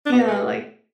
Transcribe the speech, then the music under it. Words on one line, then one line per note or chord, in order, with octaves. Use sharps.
yeah, like
D4
B2 B3
B2 A3